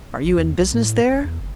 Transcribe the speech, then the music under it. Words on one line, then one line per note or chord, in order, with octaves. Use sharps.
"Are you in business there?"
G#1
E2
B1
A2
F1
E2
F#1